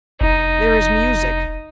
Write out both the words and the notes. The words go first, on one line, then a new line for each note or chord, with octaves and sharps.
There is music.
F1 D#4